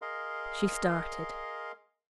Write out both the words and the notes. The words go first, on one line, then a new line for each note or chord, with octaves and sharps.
She started.
G#4 A#4 D#5 F5 C6